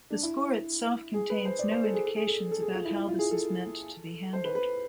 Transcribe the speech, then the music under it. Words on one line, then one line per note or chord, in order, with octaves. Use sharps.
The score itself contains no indications about how this is meant to be handled.
D4
E4
G#4
B4
C5
D5
C5
A4
G#4
A4
G#4
A4
A4
G#4
F4
E4
E4
F4
G#4
A4
C5
B4
B4